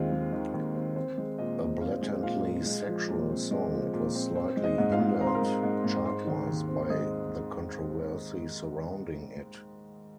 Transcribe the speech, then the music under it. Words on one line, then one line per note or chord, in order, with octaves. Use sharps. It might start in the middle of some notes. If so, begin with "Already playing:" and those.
A blatantly sexual song, it was slightly hindered chart-wise by the controversy surrounding it.
Already playing: D#2 D#3 G#3 C4 F4 F5
G#3
D#3
D#2
C4
C4 C5
G#3
A#2 D#5
A#2
C4 F4 F5
G#3
A#2 F4 F5
A#2
G#3
F3
A#2
C4
G#3
F3
A#2
C4
C4 C5
G#3
D#5
G#2
F4 F5
G#2
C4 A#5
C6
A#4 A#5
G#3
G#2
G#2
G#3 C5 C6
D#3
D#2
C4
G#3 D#5 D#6